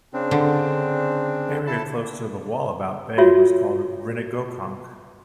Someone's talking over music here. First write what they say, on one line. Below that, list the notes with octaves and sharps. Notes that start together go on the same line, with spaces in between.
Area close to the Wallabout Bay was called Rinnegokonk.
C#3 C4 D4
D3
E4 A4 A5
F4 F#4 C#5 E5